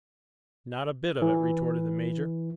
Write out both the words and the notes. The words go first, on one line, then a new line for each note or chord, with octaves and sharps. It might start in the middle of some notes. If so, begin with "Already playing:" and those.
"Not a bit of it," retorted the major.
E3